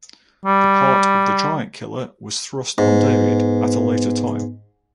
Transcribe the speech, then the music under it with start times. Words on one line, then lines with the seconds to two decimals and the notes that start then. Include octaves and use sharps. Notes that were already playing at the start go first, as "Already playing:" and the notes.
The part of the giant-killer was thrust on David at a later time.
0.45 G3
2.78 G#2 B3